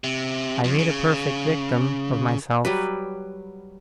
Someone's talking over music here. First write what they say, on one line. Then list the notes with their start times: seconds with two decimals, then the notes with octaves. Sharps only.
I made a perfect victim of myself.
0.04 C3
0.64 F2
0.79 C#3
2.65 F#3 G3 B4